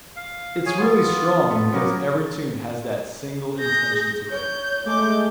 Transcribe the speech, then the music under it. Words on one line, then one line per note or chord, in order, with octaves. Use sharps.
It’s really strong because every tune has that single intention to it.
F5
G#4 C#5 G#5
B3 F4
A2 A3
F#3 A#3 B3 C#4 A#4
G#4 G6 A#6
C#5 G6
G#3 A3 D6 G6